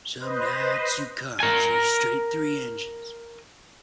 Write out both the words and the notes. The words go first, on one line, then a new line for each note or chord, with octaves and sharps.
Some Daihatsu cars use straight-three engines.
B4 C5 D#5
A#4 G#5